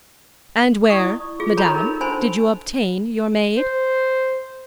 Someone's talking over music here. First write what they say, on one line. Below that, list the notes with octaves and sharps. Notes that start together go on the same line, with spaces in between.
"And where, madame, did you obtain your maid?"
E4 D5 C#6 D#6
F4 G#4
G4 A4 C#5 A#5 B5
D#4 A#4
D4 C5 G#5 A5 B5 C6
C5